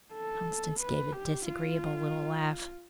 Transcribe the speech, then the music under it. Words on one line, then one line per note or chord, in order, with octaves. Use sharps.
Constance gave a disagreeable little laugh.
A4
B4
G4
F4